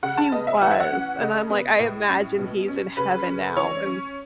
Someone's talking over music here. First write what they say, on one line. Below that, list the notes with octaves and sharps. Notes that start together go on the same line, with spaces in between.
He was, and, I'm, like I imagine he's in heaven now, and
C#3 F#5
A5
B3 D#5
E5
E3 F#5
E5
F#5
C#4
C#3 D#5
B3
A2
C#4
B2
C#4
C#3 B4
C#4
E3 C#5
C#4